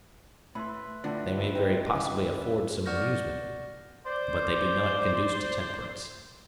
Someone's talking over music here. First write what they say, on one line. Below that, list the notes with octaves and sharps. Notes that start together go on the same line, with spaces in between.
They may very possibly afford some amusement, but they do not conduce to temperance.
A2 B4 E5 B5 C6
A2 D3 D4 F4
C#4 D#4 E4 G5
D5 F#5 C#6 F6 G6 A#6
C5 D5